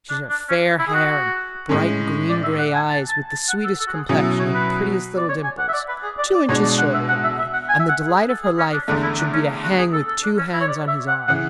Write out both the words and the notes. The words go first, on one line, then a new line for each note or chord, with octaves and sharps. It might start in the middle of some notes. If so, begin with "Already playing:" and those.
She should have fair hair, and bright green-gray eyes, with the sweetest complexion, and the prettiest little dimples;--two inches shorter than me, and the delight of her life should be to hang with two hands on his arm.
D4
D4
C#4
E4
G#4
F#4
A2 G#3 C#4
D5
E5
F#5
G#5
A5
A5
A5
F#5
A4
A4
F#4
G#4
B2 F#3 C#4 E4 G#4
A4
C#5
B4
D5
C#5
G#5
F#5
E5
D5
B4
G#4
D5
D5
B2 G#3 D4 C#5
D5
F#5
E5
F#5
E5
E5
F#5
G#5
E5
F#5
G#4
A4
G#4
C#4
D4
E2 D3 A3 D4
E4
D4
C#4
F#4
G#4
A4
A4
D4
C#4
E4
C#5
D5
E5
F#5
C#3 E3 F#5